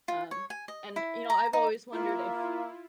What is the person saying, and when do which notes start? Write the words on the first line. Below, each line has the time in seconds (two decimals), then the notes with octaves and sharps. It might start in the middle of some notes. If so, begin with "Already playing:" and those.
um, and you know, I've always wondered if
0.08 F4
0.31 C#5
0.50 G#5
0.68 D#5
0.96 E4
1.30 A#5
1.53 D#4
1.92 A#3 E4 F4